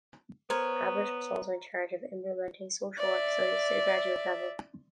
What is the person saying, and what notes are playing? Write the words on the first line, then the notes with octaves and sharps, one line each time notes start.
Abbott was also in charge of implementing social work studies to the graduate level.
B3 A#4 C5 C#5
D5 E5